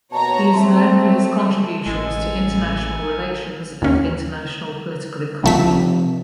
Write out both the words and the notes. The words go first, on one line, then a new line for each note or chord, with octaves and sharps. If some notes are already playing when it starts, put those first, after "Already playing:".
He is known for his contributions to International Relations and International Political Economy.
D#2 B2 C#5 A5 A#5
A3 C4 E5 A5 C6
A1 G#3 A4 G#5
D#2 C#4
C2 C3 F3 A3 B6